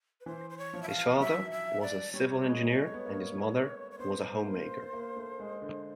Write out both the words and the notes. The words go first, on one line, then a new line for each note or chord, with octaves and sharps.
His father was a civil engineer and his mother was a homemaker.
B4
E3 C5
C5
C#5
F3
E5
F5
F#3 E5
E5
D5
G3 C#5
G#3
G#3
A3
B3
A#3
C#5
B3 C5
A#3
A#3
A3
G#3
D3